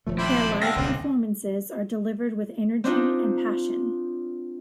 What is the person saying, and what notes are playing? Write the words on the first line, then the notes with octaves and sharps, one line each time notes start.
Their live performances are delivered with energy and passion.
D#1 F3 A3
C4 D4 E4 C5 D5 B5
B2 G#3 D4 E5 F5 G5 A#6
D#1 C#2 C4
C4 D4 D#4 F4